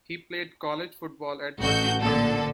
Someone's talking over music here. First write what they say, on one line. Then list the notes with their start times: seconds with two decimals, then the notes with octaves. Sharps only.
He played college football at Virginia.
1.60 A1 F#4 G6
2.01 A#1 A#2 D3 A4